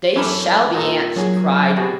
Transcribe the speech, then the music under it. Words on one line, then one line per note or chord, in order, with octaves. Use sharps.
"They shall be, aunt!" she cried.
F#2 E3 C#4 A4 B5 D6
G2 A#2 D#4 A4
F#3 C#4 F#4 G#4
B2 G3 C4 F#4 G#4